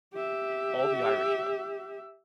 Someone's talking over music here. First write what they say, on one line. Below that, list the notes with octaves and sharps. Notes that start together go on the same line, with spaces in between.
All the Irishmen.
G4 E5